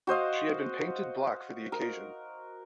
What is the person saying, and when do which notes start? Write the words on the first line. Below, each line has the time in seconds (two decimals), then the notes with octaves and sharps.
She had been painted black for the occasion.
0.07 F#4 C5 D#5 F5
1.72 A#4